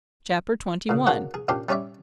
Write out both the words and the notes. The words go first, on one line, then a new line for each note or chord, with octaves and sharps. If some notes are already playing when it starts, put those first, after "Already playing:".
Chap. XXI.
A#2 C#3
A#3 D4 F#4 G#4 C#5 F#5
G#4
A#2 C#4 D4 G4 C5
G3 C#4 C#5 D5 E5